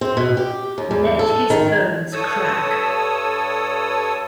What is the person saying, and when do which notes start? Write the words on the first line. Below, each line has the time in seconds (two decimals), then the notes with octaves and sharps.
Let his bones crack.
0.01 C4
0.17 B2
0.37 G4
0.78 D#2
0.91 E2
1.19 A4
1.50 D#3
2.13 G2 A4 C#5 D#6 E6